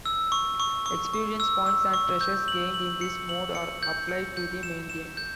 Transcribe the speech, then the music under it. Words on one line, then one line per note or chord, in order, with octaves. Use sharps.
Experience points and treasures gained in this mode are applied to the main game.
E6
C#6
C#6
C#6
C#6
E6
E6
C#6
G6
F#7
F#7
C#7
F#7
C#7
G6
C#7
G6
E7
E7
G6